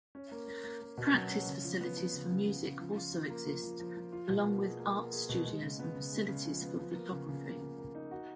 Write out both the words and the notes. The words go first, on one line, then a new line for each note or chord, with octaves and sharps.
Practice facilities for music also exist, along with art studios and facilities for photography.
C#4
A#3
A#3
A#3
A#3
B2
F#3
C#4
C#3
F3
B3
F3
C#3
C#3
C#3
C#3
F3
F4
F4
A#3
F3
F3
F3
F3
F4
B2
A#3
G#4
A#3
A#3
G#4
B2
G#3
C#3
B3
C#3
G#3
C#3
F3
B3
F3
A#3
C#3
C#3
A#3
C#3
A#3
D#4
F#4